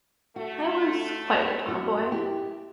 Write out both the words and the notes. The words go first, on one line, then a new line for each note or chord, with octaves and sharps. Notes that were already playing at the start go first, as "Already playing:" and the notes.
I was quite a tomboy.
A3 F#4
F#2 F#4
E4 G4